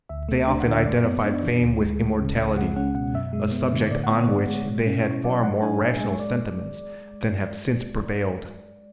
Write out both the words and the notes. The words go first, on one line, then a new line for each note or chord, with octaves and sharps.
They often identified fame with immortality, a subject on which they had far more rational sentiments than have since prevailed.
D2 E5
A3
D4
F#5
D3
E5
F#2 D5
B3
D4
E3
D2
G#3
D2
C#3
C#2 E5
G#3 F#5
C#4 F#5
B2 F#5
F#2 E5
G#3
B3
D3
A2 D5
F#5
B3
C#5
A2 D5
G#3
B2
C#4
E4 C#5
F#3 D5
A2 F#5
D4 G#5
A2 E5
G#3
C#5
D5